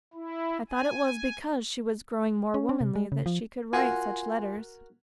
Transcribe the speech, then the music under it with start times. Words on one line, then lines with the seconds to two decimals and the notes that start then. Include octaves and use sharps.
I thought it was because she was growing more womanly that she could write such letters.
0.14 E4
0.69 G#5
2.54 C#4
2.69 C4
2.81 C3
2.96 G#3
3.12 C#3
3.26 F3
3.73 F4 F#4 A#4 F#5 G#5 C6